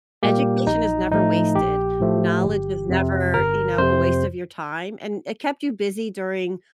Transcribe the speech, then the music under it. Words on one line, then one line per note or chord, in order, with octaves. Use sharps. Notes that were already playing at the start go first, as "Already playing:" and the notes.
Education is never wasted. Knowledge is never, you know, a waste of your time, and it kept you busy during
A#2 G3 A#3 G4
A#1 D#4
A2 F3 A3 D#4
A#1 G4
A2 F3 A3
G1
F2 C3
G1 A#4
F2 C3 C5